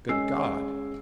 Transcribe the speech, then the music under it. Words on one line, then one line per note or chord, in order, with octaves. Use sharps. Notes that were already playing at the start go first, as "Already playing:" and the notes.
"Good God!"
G#3 C#4 G#4 E6 C7